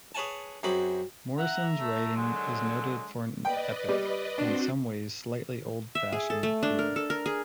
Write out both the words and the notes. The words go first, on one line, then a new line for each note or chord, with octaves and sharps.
Morrison's writing is noted for an epic, in some ways slightly old-fashioned feel.
G#4 B4 C#5 F#5 G#5 A5
F#2 C4 F#4 G#4 B5 D6
E5 F#5 A#5
A3
D3 D#3 F#3 G#3
B4 D5 D#5 G5
G3
C4 D4 F#4 C5
E5
G#4
A4
A3
D4
A#4
A4
A#4
G#4